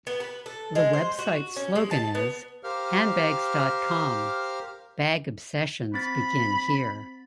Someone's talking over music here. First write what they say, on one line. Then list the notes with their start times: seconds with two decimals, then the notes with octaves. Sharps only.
The website's slogan is, "Handbags dot com: Bag Obsessions Begin Here".
0.07 B3
0.20 B4
0.46 A4
0.75 G#3
0.93 C5
1.19 F#4
1.56 C#4
1.75 G#3
1.91 A5
2.15 B3
2.64 G4 A#4 C5 F5 F6
5.94 C4 B5 A6